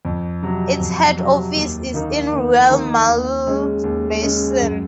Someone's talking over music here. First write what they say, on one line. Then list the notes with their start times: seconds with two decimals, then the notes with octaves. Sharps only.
Its head office is in Rueil-Malmaison.
0.05 F2
0.43 C3 F#3
0.80 F2
1.17 C3 F#3
1.55 D#2
1.94 D#3 A#3 D#4
2.32 D#2
2.70 D#3 A#3 D#4
3.08 D#2
3.46 C#3 G#3 C#4
3.83 D#2
4.21 C#3 G#3 C#4
4.60 F#2